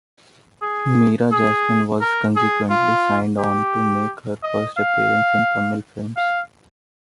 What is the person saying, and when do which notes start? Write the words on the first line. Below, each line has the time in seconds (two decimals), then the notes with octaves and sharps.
Meera Jasmine was consequently signed on to make her first appearance in Tamil films.
0.62 G#4
1.32 G#4
2.01 A#4
2.36 G#4
2.70 F4
3.39 G4
4.43 D#5
4.78 F5
6.17 F5